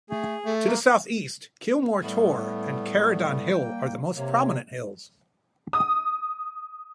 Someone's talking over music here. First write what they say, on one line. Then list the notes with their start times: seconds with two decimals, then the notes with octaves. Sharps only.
To the south-east Kilmar Tor and Caradon Hill are the most prominent hills.
0.10 A3 G#4
0.46 A3 A4
0.66 A#3
2.03 A2 G3 A3 B3
3.53 A#3 G5
4.16 C3 A#3 C#5
5.73 D#6